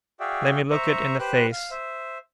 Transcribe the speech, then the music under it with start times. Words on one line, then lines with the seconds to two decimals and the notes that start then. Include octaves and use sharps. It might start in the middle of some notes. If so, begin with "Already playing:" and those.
Let me look it in the face!
0.20 F#4 G#4 D5 E5 F5 G5
0.71 C5 E5 A#5 C#6
1.19 G4 B4 C5 F#6
1.52 F5
1.71 C5 E5